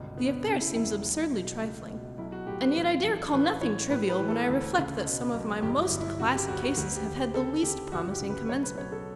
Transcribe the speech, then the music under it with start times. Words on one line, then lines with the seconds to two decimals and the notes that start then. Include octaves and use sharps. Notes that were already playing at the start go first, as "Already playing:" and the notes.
The affair seems absurdly trifling, and yet I dare call nothing trivial when I reflect that some of my most classic cases have had the least promising commencement.
Already playing: G1 C#2 B2
0.17 D3 B3
0.46 C#3 C#4
0.60 E4
0.74 E1 E4
1.03 B1
1.32 B2
1.61 C#2
1.89 B2
2.18 B1 E4
2.32 F#4
2.47 A2 G4
2.61 B4
2.75 A1
3.04 A1
3.33 A1 B4
3.61 A1 C#5
3.90 A2 B4
4.09 B4
4.19 E3
4.28 A4
4.47 D2
4.76 C#3
5.05 B2
5.33 B1
5.62 G1 G4
5.81 E4
5.91 G1
6.00 E4
6.20 C#3 F#4
6.34 G4
6.48 D2 F#4
6.63 F#4
6.77 D2 F#4
6.96 G4
7.06 D2
7.16 G4
7.34 C#3 A4
7.63 D2 G4
7.92 G1 F#4
8.11 G4
8.21 C#3
8.30 B4
8.49 B1 C#5
8.63 B4
8.78 B1 C#5
8.92 A4